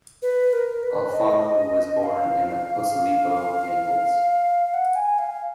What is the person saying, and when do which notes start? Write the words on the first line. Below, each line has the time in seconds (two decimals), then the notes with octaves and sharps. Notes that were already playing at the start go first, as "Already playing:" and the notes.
Alfano was born in Posillipo, Naples.
0.22 B4
0.53 A#4
0.83 B4
1.12 D#5
2.03 F5
4.74 F#5
4.95 G#5
5.19 F5